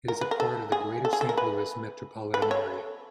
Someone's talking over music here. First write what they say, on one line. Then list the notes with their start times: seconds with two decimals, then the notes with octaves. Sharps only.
It is part of Greater Saint Louis metropolitan area.
0.08 A#4
0.21 B4
0.31 A#4
0.40 A4
0.72 G#4
1.05 A4
1.13 G#4
1.21 A4
1.29 A#4
1.38 B4
2.34 B4
2.42 A4
2.51 C#5